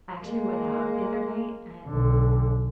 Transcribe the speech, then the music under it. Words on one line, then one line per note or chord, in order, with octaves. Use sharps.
actually went out the other night, and
G#3 A#3
B1 D3